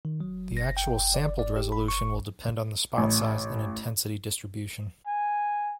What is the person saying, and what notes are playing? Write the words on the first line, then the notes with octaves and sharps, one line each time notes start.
The actual sampled resolution will depend on the spot size and intensity distribution.
D#3
F#3
A#6
G5
D5
D5
G4
B5
C#6
A1
G#5